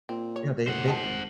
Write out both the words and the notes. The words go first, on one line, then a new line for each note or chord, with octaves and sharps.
You know, they they
A#2 C4
C#5
A2 C#3 C5 F#5
D#3 G#4 A5
G#1